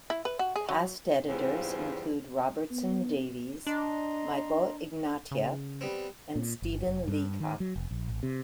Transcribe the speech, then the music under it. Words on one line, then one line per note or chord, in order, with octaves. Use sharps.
Past editors include Robertson Davies, Michael Ignatieff, and Stephen Leacock.
E4
B4
F#4
G#4
F#3
E2 G#2 C#3 F3 G3 C4
B3
D4 D#5 A#5 C6
C#3
G3 B3 C4
A#2
G1
F1
G2
D#3
F#3
F1
A#1
A1
C3